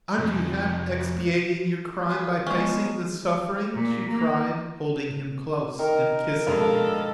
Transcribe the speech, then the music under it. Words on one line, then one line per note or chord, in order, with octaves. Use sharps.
"Aren't you half expiating your crime by facing the suffering?" she cried, holding him close and kissing him.
F2 C3
F4 G#4 B4
C3 F#3 G#3 B3 C#4 D4 G#4
A#2
A#3
D#3 A#4
G2 F3 G#3 A4 F5